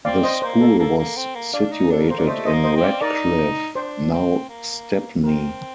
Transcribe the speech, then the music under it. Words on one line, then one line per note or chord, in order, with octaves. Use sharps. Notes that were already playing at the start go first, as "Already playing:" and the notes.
The school was situated in Ratcliff, now Stepney.
C4 D5 F5
C5 D#5
A#3 C5
A4
A#3 A4
A#3
C4
A#3
D4 D5 F5
D#4
D4 A4
A#4
A#3 C5
D5
A3 C5 D#5
C5 D#5
A#3
C5 D#5
C4
D5 F5
D#4 A#4 D5
D4 C5
C4
A#3
C4 A#4